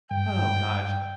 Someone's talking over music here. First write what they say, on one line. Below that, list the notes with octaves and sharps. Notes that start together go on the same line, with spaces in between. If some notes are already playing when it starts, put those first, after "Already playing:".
Oh, gosh.
G2 G5